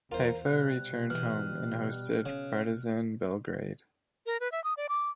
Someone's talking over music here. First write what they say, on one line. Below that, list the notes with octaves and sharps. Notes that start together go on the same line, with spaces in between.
Haifa returned home and hosted Partizan Belgrade.
E2 F4 A#4 C5
B2 G3 F#6
E3 F6
C#3
A#4
B4
E5
D#6
D5
D6